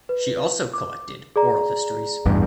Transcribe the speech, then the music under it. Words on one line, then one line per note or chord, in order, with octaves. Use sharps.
She also collected oral histories.
B4
D6
G#4 D5 A#5
A1 E2 G2